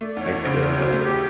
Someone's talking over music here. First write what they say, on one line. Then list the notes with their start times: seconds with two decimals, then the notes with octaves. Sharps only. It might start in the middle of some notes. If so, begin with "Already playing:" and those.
like, uh,
0.01 A3 D5
0.17 E2 C#5
0.32 E2
0.42 C#3 C5
0.62 C#3 C5
0.77 F#3
0.83 C5
0.92 A3
1.04 G4